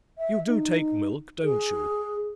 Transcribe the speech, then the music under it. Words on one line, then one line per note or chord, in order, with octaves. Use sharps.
You do take milk, don't you?
E5
D#4
G#4